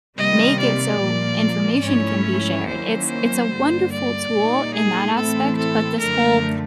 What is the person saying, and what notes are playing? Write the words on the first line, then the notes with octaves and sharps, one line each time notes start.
make it so information can be shared, it's it's a wonderful tool in that aspect, but this whole
C3 D#3 G3 A#3 D#5
D5
A#2 F3 A#3
G#2 F3 A3 C#4 E4 C#5
D#3 F#3 A#3 C#4 E4 C5
C5
G2 D3 G3 A#3
D5
A#2 G3 A#3 D#4
G#4
A2 E3 A3 C4 E4 A4
A4
F#2 D3 F3 A3 A#4